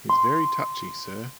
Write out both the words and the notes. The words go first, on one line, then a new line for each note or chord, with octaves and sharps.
He's very touchy, sir.
C6